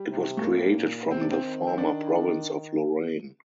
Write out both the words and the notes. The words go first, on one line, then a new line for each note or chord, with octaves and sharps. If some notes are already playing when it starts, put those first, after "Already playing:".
It was created from the former province of Lorraine.
Already playing: G3
C3
A3
A2 A#3
A#2
C3 C4
D4
C4
D#3
C4
D4